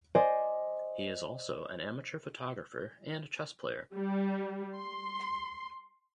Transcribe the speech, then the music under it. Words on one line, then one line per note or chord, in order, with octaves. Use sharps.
He is also an amateur photographer and chess player.
C5 D5 D#5 G#5 C6
G3
C6